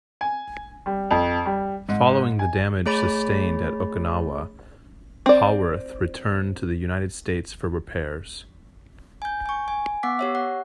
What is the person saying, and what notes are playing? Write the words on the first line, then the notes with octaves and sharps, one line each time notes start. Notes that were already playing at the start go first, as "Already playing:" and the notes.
Following the damage sustained at Okinawa, "Howorth" returned to the United States for repairs.
G#5
G3
F2
G3
G#2
G#5
A3 G#4 C#5 B5 A6
C4 D5
G#5 G6
G#5 C#6
G#5
B3 F#5 D6 B6
G4 C#5 E5
F#5